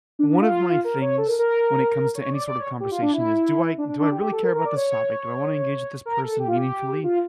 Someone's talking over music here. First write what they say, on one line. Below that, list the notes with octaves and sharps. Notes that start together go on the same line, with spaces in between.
One of my things when it comes to any sort of conversation is, do I do I really care about this topic? Do I wanna engage with this person meaningfully?
D4
D4
F4
A#4
C#5
A4
A#4
A#4
C#5
D5
D5
C#5
G4
F4
D4
E4
D4
D4
D4
G4
G4
A4
A#4
A#4
D5
C#5
A#4
A4
G4
F4
G4
F4